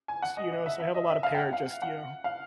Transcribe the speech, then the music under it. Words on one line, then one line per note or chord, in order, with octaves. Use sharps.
s you know, so I have a lot of pair just, you know,
G#5
F#5
D#5
D#5
E5
E5
D#5
E5
F5
G5
F#5
F5
F#5
F5